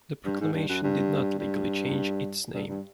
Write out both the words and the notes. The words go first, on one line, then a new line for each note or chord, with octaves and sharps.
The proclamation did not legally change its name.
G2
G#2
G2
F#2
G2
G2
G2
G2